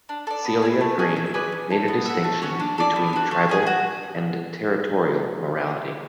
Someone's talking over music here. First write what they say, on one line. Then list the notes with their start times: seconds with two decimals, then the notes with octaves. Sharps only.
Celia Green made a distinction between tribal and territorial morality.
0.09 D4
0.27 A4 D5
0.45 B3
0.62 E4 G#4
0.81 A3
0.99 C#4 G#4
1.16 E4
1.34 G#4 B4 D5
1.52 C#4
1.70 E4 A4
1.88 B3
2.06 F#4 A4 E5
2.24 A3
2.42 C#4 F#4 C#5
2.60 D4
2.78 A4 D5
2.96 B3
3.13 D4 F#4
3.31 A3
3.49 C#4 G#4
3.67 F#4